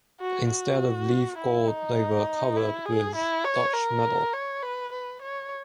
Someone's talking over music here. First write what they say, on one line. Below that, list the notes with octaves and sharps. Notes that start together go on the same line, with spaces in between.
Instead of leaf gold they were covered with Dutch metal.
F#4
F#4
E4
D#4
E4
G#4
E4
C#5
A#4
C#5
B4
B4
C#5